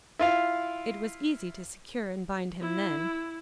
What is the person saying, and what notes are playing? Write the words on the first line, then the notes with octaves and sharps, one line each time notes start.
It was easy to secure and bind him then.
E4 F4 F5
E4